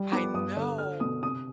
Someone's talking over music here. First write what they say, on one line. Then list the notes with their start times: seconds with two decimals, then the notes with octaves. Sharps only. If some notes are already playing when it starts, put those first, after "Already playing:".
I know.
Already playing: G3
0.12 B3 D6
0.34 G2 D#6
0.57 D3
0.78 D4 F6
1.00 B2 D#6
1.23 C3 D#6